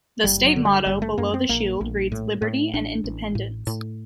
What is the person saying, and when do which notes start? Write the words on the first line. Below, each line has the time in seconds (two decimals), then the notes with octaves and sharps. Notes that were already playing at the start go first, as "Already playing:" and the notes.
The state motto, below the shield, reads "Liberty and Independence".
0.24 F#1 G3
0.45 F#3
0.56 D3
0.65 G3
0.86 F#1 G3
1.02 A3
1.18 F#2 A#3
1.34 C4
1.49 A#1 A#3
1.81 A#1
2.12 A2
2.42 A2
2.73 A1 D4
3.04 A1
3.35 A2
3.67 A2